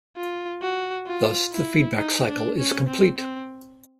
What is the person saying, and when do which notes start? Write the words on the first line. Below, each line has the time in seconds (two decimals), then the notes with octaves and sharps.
Thus the feedback cycle is complete.
0.17 F4
0.62 F#4
1.07 F4
1.52 E4
1.97 D#4
2.27 D4
2.58 C#4
2.88 C4
3.18 C4